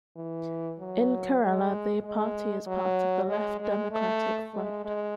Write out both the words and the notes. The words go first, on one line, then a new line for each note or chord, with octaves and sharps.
In Kerala, the party is part of the Left Democratic Front.
E3
F#3
G#3
G#3
F#3
G#3
G#3
A3
G#3
G#3